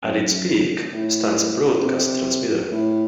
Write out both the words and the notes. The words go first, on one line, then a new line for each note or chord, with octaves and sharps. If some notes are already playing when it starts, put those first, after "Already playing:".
At its peak stands a broadcast transmitter.
F#2
A2
C3
A2